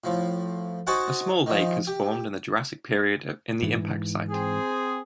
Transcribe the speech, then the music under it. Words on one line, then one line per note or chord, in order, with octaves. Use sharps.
A small lake has formed in the Jurassic period in the impact site.
A2 F3
D#4 F#4 C5 F#5 G#5 A5
D#3 F3
G4
G#2 E3
C4 G#4